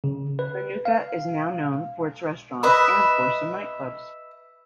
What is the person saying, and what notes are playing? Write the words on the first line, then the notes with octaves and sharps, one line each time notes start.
Manuka is now known for its restaurants and for some nightclubs.
C#3
B4
F5
B4 D#5 E5 B5